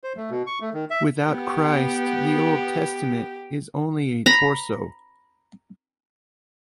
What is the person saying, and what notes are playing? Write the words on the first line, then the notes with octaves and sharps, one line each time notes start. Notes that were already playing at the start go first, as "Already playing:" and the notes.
Without Christ the Old Testament is only a torso.
C5
A3
B2
C#6
A3
D#3
E5
B3 G4
A#5 B5